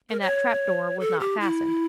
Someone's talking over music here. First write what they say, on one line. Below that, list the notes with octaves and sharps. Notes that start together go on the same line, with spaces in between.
And that trap-door was not fastened.
A#4
C#5
A4
G4
E4